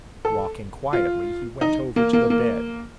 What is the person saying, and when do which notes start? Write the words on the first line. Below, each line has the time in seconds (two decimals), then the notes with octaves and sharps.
Walking quietly, he went over to the bed.
0.25 A4
0.93 F4
1.61 D#4
1.96 A#3
2.13 A#3
2.30 A#3